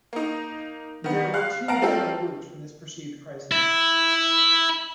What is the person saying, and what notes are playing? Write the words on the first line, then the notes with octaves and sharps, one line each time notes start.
There were two available routes from this perceived crisis.
A#3 D#4
D#3 B3
F5 F#6
F5 F#5 A5 A#5 D7
G3 C4 F4 G4 A4
E4